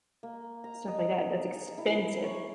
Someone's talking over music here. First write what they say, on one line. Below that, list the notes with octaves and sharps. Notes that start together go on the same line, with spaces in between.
stuff like that, that's expensive.
A#3
A#5
D#5
G#4
E4
C#5